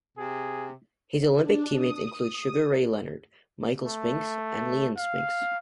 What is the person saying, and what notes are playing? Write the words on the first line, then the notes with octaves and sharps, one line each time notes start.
His Olympic teammates included Sugar Ray Leonard, Michael Spinks and Leon Spinks.
C3 G#4
D4
D#6
A3
F5